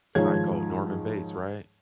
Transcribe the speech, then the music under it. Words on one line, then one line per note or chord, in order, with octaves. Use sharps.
Psycho, Norman Bates right?
G#2 D#3 F3 G#4 C#5 G#6